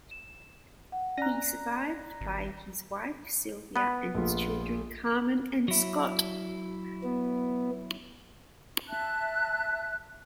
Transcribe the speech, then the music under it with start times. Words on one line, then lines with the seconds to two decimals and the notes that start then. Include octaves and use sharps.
He was survived by his wife, Sylvia, and his children Carmen and Scott.
0.11 E7
0.92 F#5
1.17 C#4 D5 A#5 F#6 A#6
2.21 G#1
3.76 B3 B4
4.14 A#1 A3 F4
5.68 F#3 E4
7.04 B3
8.88 E5 A5 F#6